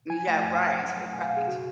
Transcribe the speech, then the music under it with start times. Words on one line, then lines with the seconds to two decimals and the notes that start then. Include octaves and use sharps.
Yeah, right, right.
0.10 F3 G#5
0.27 A3
0.44 F#2 G#5
0.61 F#2 G#5
0.78 F#3 F#5
0.96 A3
1.13 B2 G#5
1.21 F5
1.25 F#5
1.31 B2
1.37 G#4
1.48 C#3 F#4